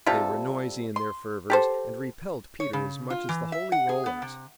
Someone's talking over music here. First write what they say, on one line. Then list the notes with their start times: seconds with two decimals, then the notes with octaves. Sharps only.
They were noisy in their fervors, and repelled Peter as much as the Holy Rollers.
0.06 C3 G3 F4 A4
0.96 C6
1.50 G4 A4 C5
2.60 C#5
2.73 C#3
3.10 F4
3.29 E3
3.52 E5
3.72 F#5
3.89 G#4
4.06 B3
4.22 C3